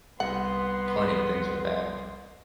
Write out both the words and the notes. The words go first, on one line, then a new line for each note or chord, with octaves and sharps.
plenty of things with that.
C2 B3 F#5 C6